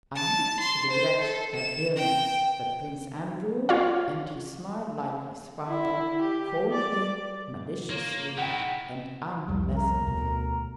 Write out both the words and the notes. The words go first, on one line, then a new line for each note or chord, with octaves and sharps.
"I much regret her illness," said Prince Andrew; and he smiled like his father, coldly, maliciously, and unpleasantly.
A5
C6
C5
A4
E7
G5
F4 C#5 D5 F5
E4
G4
D5
A#3 F4 C#5
D#3 E4 F#5 G5
C2 F2 G3
A#4
D2 B2